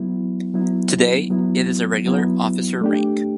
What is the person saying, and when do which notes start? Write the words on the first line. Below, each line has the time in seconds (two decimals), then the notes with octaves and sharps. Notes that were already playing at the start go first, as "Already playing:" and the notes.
Today, it is a regular officer rank.
Already playing: F#3 B3 E4
0.54 F#3 B3 E4
1.30 F#3 B3 E4
2.06 F#3 B3 E4
2.81 A3 D4 G4